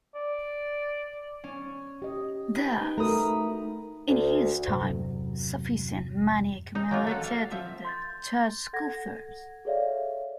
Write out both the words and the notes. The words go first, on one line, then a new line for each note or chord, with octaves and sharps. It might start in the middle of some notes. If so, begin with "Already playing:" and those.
Thus, in his time, sufficient money accumulated in the Church coffers.
D5
C#4
G4 D#5
D#4 B4 G5
A3 F#4 A#4 A#5 B5 D#6
D2
E2 G2 C3 F#3
D#4
F#3 A#3 F4
A4 C#5 F#5 A5
F5
F3 E5
C6 G6 A6
A4 F#5 G#6 A#6
G#4 A4 C#5 D5 E5 F5